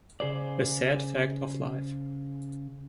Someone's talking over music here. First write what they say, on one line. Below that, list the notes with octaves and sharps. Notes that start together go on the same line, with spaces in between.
A sad fact of life.
C#3 G#4 C5 D5